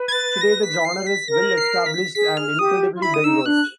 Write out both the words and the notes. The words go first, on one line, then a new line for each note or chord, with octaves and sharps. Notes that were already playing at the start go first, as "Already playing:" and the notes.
Today, the genre is well established and incredibly diverse.
Already playing: B4
G#6
A6
A#6
B6
C7
B6
A#4 A#6
C7
B6
G#4 B6
F6
G4 D#6
F4
E4 B5
D#6
D#4 E6
D4 F#6